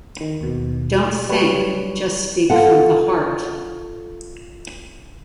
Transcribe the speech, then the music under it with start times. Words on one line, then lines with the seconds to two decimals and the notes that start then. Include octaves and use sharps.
Don't think, just speak from the heart.
0.21 D#3
0.41 D#2 B2
1.29 F#3 G3 B4 C#5
2.50 F4 A4 F#5